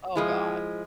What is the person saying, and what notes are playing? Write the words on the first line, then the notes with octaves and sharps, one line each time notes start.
Oh god.
F3 G#3 E4